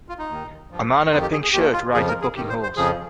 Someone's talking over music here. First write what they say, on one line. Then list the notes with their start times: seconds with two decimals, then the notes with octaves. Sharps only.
A man in a pink shirt rides a bucking horse.
0.09 F4
0.19 D#4
0.29 D#2 D#3
0.71 G2 F3
1.11 F2 D#3 D#4
1.22 G4
1.32 G#4
1.43 G#4
1.53 D#2 D#3 G4
1.73 F4
1.94 F2 C#3 F3 G#4
2.08 A#4
2.22 G#4
2.35 G2 G4
2.39 D#3
2.49 C5
2.63 C5
2.76 F2 C#3 F3 G#4